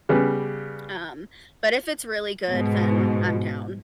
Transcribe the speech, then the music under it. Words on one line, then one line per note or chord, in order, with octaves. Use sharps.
Um, but if it's really good, then I'm down.
C#3 G3 B3
G#2 B2